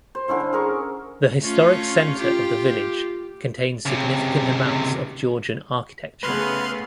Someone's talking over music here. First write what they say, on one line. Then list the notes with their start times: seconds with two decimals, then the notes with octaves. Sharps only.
The historic centre of the village contains significant amounts of Georgian architecture.
0.15 C5
0.28 D3 C#4 E4 C5
0.53 G#4 A#4 C#6
1.41 A3 C#4 F4
2.19 F4 G4
3.86 C#2 C3
6.23 C#3 A3 B3 B4 C6 F6